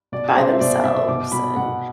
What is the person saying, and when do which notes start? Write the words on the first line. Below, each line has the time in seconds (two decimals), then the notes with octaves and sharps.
by themselves and,
0.12 B2 D5
0.36 B2 C5
0.53 E5
0.60 B2 D5
0.84 B2 E5
1.08 B2 D6
1.32 B2 B5
1.56 B2 F#5